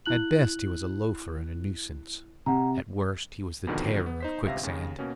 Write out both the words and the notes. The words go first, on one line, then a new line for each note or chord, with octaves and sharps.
At best he was a loafer and a nuisance; at worst he was the Terror of Quicksand.
E4 F#6 F#7
C3 F#5 A#5
F2 G#2 B2 D3 D#3
B3
D#4 C5 B6
G1 C#2 C3 E5 F5 A#6
D#2 C#3
B2 A#3 C#4